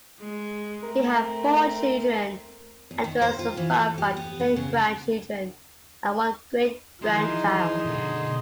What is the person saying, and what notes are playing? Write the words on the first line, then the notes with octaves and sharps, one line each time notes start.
He had four children and was survived by ten grandchildren and one great-grandchild.
G#3
A3 C4 A#4
E2
D#3
C5
F4
E3
A4
G4
B3
B3
C#3
D#3 F3 D#4 E4 G#4 B4 C6
B2 D3 A#4